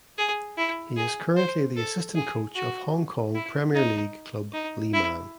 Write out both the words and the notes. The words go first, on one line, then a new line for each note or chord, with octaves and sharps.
He is currently the assistant coach of Hong Kong Premier League club Lee Man.
G#4
E4
G#4
C5
A4
G#4
F#4
E4
D#4
D#4
E4